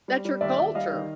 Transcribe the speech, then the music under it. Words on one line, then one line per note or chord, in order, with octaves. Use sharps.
that's your culture.
G3
G3
D#2 D5 E5
D#2
G3 D#5 F5
D#3